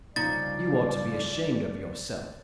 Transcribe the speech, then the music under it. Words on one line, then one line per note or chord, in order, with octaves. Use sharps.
You ought to be ashamed of yourself.
C2 C#3 F3 D#4 D5 A6